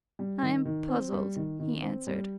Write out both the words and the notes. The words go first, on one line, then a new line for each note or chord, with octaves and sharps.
"I am puzzled," he answered.
G3
D#3
D#3
C4
G3
D#3
D#3
C4
G3